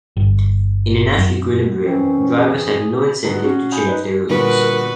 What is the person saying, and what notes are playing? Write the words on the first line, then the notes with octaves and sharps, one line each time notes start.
In a Nash equilibrium, drivers have no incentive to change their routes.
G1
F#2
F#2 E3 C4 C#4
G#4
D3 F#3 G#3 B3 A5
C#4 F#4
G#5 B5 D#6 G6
D#4 B4
A#2 D3 F3 G3 B3 F#4 A#4 B4